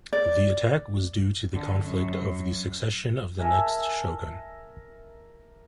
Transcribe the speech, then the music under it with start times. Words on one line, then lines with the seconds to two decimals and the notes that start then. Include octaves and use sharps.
The attack was due to the conflict of the succession of the next Shogun.
0.13 D5
1.54 D3
1.85 F#2
3.39 A4 A#4 E5 G#5